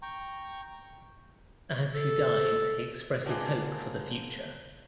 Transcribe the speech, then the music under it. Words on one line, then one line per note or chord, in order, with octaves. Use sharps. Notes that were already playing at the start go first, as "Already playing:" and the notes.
As he dies, he expresses hope for the future.
G5 A#5 C#6
A4
G#3 A#3 B3 D4 F#4